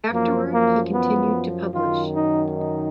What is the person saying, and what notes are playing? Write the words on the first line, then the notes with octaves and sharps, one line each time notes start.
Afterward, he continued to publish.
F#2 F3 A#3
A#3
B3
F#2 D#3 F4
D#4
D#4